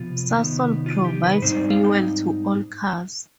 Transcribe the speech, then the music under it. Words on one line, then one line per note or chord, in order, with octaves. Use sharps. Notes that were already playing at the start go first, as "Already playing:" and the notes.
Sasol provides fuel to all cars.
Already playing: C3 F3 B3 F4
C3 D#3 B3
F4
G4
B4
G#2 G3 C4 D#4 C5
D5
F5
G5